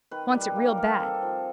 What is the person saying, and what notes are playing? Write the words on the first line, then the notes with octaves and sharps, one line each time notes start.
Wants it real bad.
D#3 B4
G3
B4
A#3
A#4
G3
C4 A4
F3